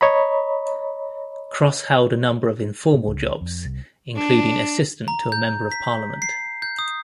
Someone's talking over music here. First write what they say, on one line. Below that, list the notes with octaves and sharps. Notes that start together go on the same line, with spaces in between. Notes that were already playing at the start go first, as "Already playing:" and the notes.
Cross held a number of informal jobs including assistant to a member of parliament.
C#5 D#5 A#5 B5
A#2
C#2
F2
C2
D4
A#5
G6
B6
C7
G6
D#6